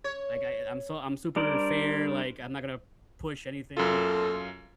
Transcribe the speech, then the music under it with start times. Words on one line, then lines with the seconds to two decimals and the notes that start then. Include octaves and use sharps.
Like, I I I'm so I'm super fair, like, I'm not gonna push anything.
0.04 C#5
1.36 G3 D4 A#4 C5 D5
3.77 F#2 B2 A#3 F4 A4